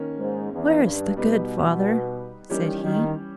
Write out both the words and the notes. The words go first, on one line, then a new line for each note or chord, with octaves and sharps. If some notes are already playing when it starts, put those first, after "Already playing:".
'Where is the good, father?' said he.
Already playing: D#3 A#3 C#4
G#2
E2
G2
B2 G3 B3 D#4 G4 B4
D#3 E3 G3 C#4 G4 C#5
D#3